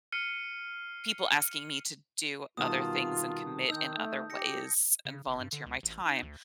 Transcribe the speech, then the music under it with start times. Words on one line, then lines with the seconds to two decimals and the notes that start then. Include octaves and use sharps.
people asking me to do other things, and commit in other ways, and volunteer my time.
0.12 F6 C7 C#7 D#7
2.57 B2 D#3 G3 F4 A5 D#6
3.69 D#3 D#4 E6 G6
3.97 A3
4.30 G4 A#6 C#7
5.05 C#3
5.27 F#1
5.39 G2
5.53 D3
5.66 C#2
5.83 A1
6.06 D#4
6.22 D2